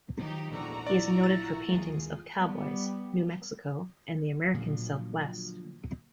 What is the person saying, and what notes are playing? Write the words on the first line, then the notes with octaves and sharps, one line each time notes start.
He is noted for paintings of cowboys, New Mexico, and the American Southwest.
D#3 F3 F#3 D#4 G4
A#1 E2 G#2 D3 F#4 A#5
E4 F4 D5
A6
D#2 G#3 F4 G#4
G3 B3
A#2 D3 F3 F#3